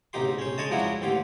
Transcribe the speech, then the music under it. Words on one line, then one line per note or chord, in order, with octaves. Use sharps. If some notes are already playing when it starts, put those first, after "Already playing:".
"Lord de Winter."
A1 D2 D#4 G4 C6
C#4 C5
G#3 C#5 D#5 A5
F3 F#3 G#3 D4 E4 F#4
A1 D#2 D3 G4 C6